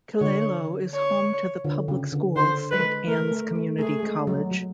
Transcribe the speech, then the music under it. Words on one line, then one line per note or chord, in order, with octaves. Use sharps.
Killaloe is home to the public school Saint Anne's Community College.
D3 C#5
C#5
D3
C#3
D3
D3 C5
G#3 B4
A3 A#4
A3
A3
A3 G#4
G#3
F#3
F#3